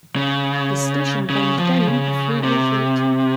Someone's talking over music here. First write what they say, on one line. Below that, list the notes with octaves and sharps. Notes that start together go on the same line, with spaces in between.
The station burned down a few years later.
C#3
C#3
F3
C#3
C3